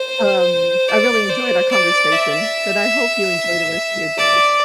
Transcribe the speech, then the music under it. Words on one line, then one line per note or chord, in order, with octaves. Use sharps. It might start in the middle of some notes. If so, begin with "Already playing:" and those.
um I really enjoyed our conversation, but I hope you enjoy the rest of your day.
Already playing: C5
D5
C5
D5
E5
D5